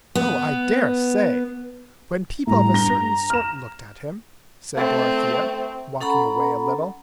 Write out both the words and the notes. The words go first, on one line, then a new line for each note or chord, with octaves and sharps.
"Oh, I dare say! when people of a certain sort looked at him," said Dorothea, walking away a little.
B3
A2 G3 A#5
G2 A#6 G7
F6 E7
A3 C4
C#4 A4 F#5 A#5 B5